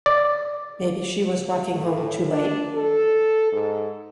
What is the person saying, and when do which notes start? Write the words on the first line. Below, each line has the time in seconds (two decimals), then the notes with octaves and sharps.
Maybe she was walking home too late?
0.06 D5
1.73 A2
2.30 D4
2.73 A4
3.53 G#2